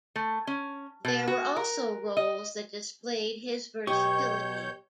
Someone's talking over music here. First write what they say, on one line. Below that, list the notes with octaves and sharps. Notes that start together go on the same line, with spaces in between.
There were also roles that displayed his versatility.
A3
C#4
B2
F#4
A#4
D#5
B1 B2 G4 C#5 D#5 C#6 G6